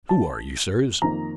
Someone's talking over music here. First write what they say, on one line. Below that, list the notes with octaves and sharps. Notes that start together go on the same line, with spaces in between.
"Who are you, Sirs?"
A5
F2 D#3 A#3 A#5